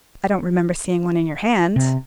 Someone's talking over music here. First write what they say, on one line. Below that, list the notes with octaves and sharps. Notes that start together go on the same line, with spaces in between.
"I don't remember seeing one in your hand."
C3